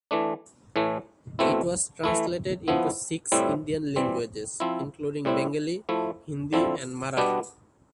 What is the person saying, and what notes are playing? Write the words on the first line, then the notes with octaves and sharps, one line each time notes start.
It was translated into six Indian languages, including Bengali, Hindi, and Marathi.
E3 A3 D4
A2 E3 A3
B2 A3 C4 E4
E3 A3 E4
F3 B3 E4
A2 G3 C4 E4
E3 G3 C4
F3 C4 E4
A2 G3 C4 E4
F3 A3 E4
D3 F3 C4 E4
B2 G3 B3 D4